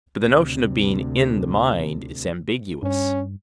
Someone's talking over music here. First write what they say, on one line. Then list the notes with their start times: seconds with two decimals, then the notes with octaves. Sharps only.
But the notion of being 'in' the mind is ambiguous.
0.23 D2 C3
2.83 G2 C#4